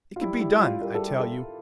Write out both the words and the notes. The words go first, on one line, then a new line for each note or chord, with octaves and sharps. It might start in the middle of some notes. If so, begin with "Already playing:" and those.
It could be done, I tell you.
F4
G3 E4
E4
F4
G3 A#4
A4
G4
A4